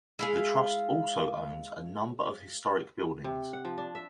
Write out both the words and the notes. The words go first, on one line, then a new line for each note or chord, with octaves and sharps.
The Trust also owns a number of historic buildings.
G#3 E4 F4 G#4 F5
C3
F#5
F3
D4
E5